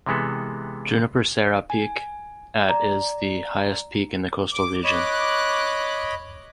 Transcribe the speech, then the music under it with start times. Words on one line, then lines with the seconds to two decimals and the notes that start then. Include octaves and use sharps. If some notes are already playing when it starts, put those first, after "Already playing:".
Junipero Serra Peak at is the highest peak in the coastal region.
0.06 C3 E3 G#3 B3 A4
1.70 G#5
2.68 D5 A#5
4.53 D6
4.84 C#5 D#5 B5 D6 F#6